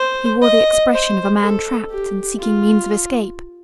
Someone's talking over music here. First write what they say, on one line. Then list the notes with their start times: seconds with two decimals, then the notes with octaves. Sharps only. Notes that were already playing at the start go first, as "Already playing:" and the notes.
He wore the expression of a man trapped and seeking means of escape.
Already playing: C5
0.42 D#5
0.91 C5
1.40 A4
1.90 G4
2.39 F4